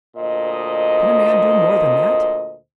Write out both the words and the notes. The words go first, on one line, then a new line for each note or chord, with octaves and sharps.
Can a man do more than that?
D2 A#2 C5 D#5